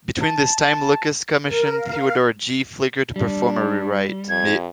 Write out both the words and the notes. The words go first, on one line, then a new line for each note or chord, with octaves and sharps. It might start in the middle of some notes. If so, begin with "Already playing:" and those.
Between this time, Lucas commissioned Theodore J. Flicker to perform a rewrite.
A5
A5
A#4
F5
G3 D4
F2 G#6